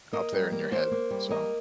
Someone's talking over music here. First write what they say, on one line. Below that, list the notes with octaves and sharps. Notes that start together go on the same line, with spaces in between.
up there in your head. So,
A#3 A#4 D#5
G3
A#3
A#3 C5 F5
A#3
G3
A#3 A#4 D#5